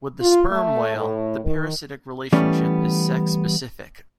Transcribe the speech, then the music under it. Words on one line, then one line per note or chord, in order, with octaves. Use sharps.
With the sperm whale, the parasitic relationship is sex-specific.
F4
A3
A2
D#3
E3 G3 A3 B3 C#4